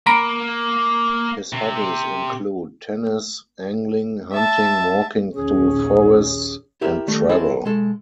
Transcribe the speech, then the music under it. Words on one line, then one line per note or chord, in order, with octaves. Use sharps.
His hobbies include tennis, angling, hunting, walking through forests, and travel.
A#3 A#5 B5 D7
C3
E5 A5
A#1 D#2 C#4 G#4
E4 G4 A#4 E5
D#3 G3 A3
C4 E4 G#4 A4 B4 C5
B1 G#3 A4